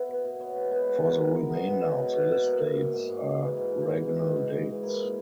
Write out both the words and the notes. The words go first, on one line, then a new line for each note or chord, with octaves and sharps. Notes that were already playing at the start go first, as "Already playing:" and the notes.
For the remainder of the list dates are regnal dates.
Already playing: B3 E5
B2
B2
B3 C#5
G#3
B2 B4
G#3
B2 A#4
B3
B2
B3
G#3 C#5
B2 D#5
B2 F#5
B2 E5
G#2 F#5
A#3
A#3
G#2
G#2
G#2
G#2
E3
G#2
G#2
G#2
E3
G#2 D#5
G#2
G#2
E3
A#3 E4
A#2